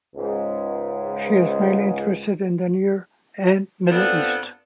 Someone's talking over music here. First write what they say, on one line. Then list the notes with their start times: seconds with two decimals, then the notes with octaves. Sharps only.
She is mainly interested in the near and Middle East.
0.15 C#2 G#2
3.90 G2 B3 C4 D4 F4 A4